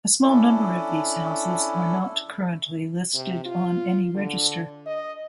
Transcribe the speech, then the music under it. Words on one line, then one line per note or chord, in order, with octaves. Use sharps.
A small number of these houses are not currently listed on any register.
C#4 D4 E4 A4
C3
F4
D3
D#5